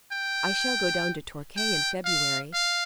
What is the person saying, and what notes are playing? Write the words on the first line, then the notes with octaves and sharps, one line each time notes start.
I shall go down to Torquay in February.
G5
G5
F5
F5